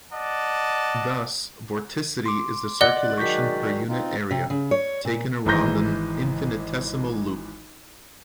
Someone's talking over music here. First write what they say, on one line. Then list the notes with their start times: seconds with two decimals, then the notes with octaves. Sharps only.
Thus vorticity is the circulation per unit area, taken around an infinitesimal loop.
0.13 D5 D#5 F#5 A5
2.26 C6 D6
2.81 D5 D#5 F#5 F#6 G7
3.18 D#3 F#3 G#3 C#6 G6 B6
3.88 C4 D#4 F4
4.31 C3
4.50 C#3
4.71 C#5
5.05 A#2
5.46 G#1 E3 G#3 A#5 G6 A#6